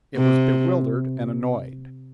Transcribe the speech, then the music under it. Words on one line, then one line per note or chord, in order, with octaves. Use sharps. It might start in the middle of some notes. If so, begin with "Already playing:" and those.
It was bewildered and annoyed.
C3